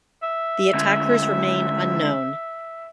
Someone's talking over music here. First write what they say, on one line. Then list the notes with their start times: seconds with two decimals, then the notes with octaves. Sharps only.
The attackers remain unknown.
0.22 E5
0.74 D3 G#3 C#4